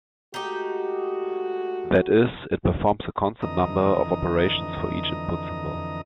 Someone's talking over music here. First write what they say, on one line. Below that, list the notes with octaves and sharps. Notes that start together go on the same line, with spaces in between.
That is, it performs a constant number of operations for each input symbol.
G#3 A3 D#4 F#4 G4
F2 D3 E3 D#5 A#5 D#6